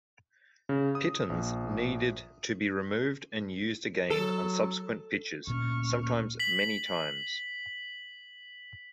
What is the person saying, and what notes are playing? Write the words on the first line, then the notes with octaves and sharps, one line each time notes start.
Pitons needed to be removed and used again on subsequent pitches, sometimes many times.
C#3
D#6
A#1
F#3 A4
D2 A#2 C#4 C#6 F6
B6 F#7